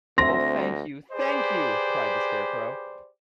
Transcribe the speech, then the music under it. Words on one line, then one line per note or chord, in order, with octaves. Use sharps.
Oh, thank you — thank you! cried the Scarecrow.
D2 C4 C5 E5 C6 A#6
G4 G#4 B4 C5 D5